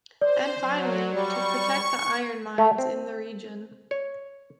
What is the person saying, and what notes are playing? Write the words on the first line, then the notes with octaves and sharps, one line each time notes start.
And finally, to protect the iron mines in the region.
C5 D5
F#3
G3 C#6
A3
C4
C#5